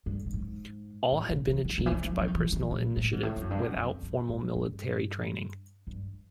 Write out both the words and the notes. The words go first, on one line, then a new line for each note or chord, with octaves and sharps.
All had been achieved by personal initiative, without formal military training.
G2
G2
G#2
A2
B2
E3
D#3
D3
E3
D#3
F3
F3
D#3
E3
D#3
A#2
A2
G#2
A2
G2
F#2
G2
F#2
F2
F#2
G#2
G2
G2